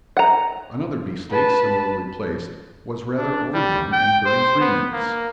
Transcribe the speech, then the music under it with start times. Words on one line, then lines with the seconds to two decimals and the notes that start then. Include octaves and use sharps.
Another beef-steak, similarly placed, was rather overdone in thirty-three minutes.
0.17 F#5 A#5
1.31 B4 A5
3.17 D4
3.54 G3
3.92 G5
4.26 C5
4.60 B3
4.93 A#3